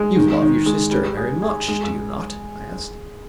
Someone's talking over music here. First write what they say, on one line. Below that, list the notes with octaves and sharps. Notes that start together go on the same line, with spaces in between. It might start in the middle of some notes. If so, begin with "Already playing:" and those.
"You love your sister very much, do you not?" I asked.
Already playing: G#3
D#3
D#3
G#3
G3
G#4
G#4
G#3